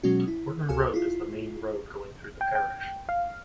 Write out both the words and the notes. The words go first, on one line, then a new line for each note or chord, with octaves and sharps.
Horton Road is the main road going through the parish.
B2 F#3 G#3 C#4 F#4
E4
C#2 F#4 A4 F5 G#5
E4 F4
G5
G5
F5